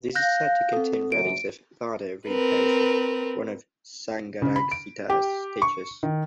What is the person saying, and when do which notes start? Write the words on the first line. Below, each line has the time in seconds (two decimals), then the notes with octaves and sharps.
This is said to contain relics of Dhardo Rimpoche, one of Sangharakshita's teachers.
0.15 F5 F#6 G6 A#6
0.73 C4 A4
1.12 F#1 F#2 D7
2.27 C4 A#4 B4
4.42 C#3
4.56 B5
4.71 D7
5.10 G4
5.62 C#6
6.03 D#3